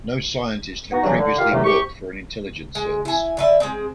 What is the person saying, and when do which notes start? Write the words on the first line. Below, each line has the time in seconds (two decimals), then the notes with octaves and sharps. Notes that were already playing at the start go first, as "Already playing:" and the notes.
No scientist had previously worked for an intelligence service.
0.92 B3 D#4 F#4
1.03 G2 C#3 E3 F#3
1.18 D3
1.38 F4 G4 A#4 F5
1.51 E2 A2 C3 D#3 F#3 A3
1.63 C2 C3 G4 C#6
2.75 G#3
3.05 E4 G#5
3.37 D3 B4 E5
3.60 G#3 C4